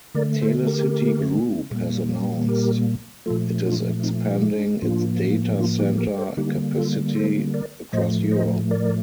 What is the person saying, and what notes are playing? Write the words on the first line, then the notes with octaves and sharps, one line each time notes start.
TelecityGroup has announced it is expanding its data centre capacity across Europe.
D3 A3 A#4 D5
A4 C5
G4 A#4
A#2 G3 A#3
G4 A#4
A#2 F3 A3 F4 A4
D4 F4
C4 D#4
D4
D4
A2 F3 A#3 D4 F4
D4 F4
D#4 G4
G4 A#4
A4 C5
D3 G3 A#3 D#4 G4
F4 A4
A4 C5
A#4 D5
A2 F3 A3 C5 D#5
C5 D#5
A#4 D5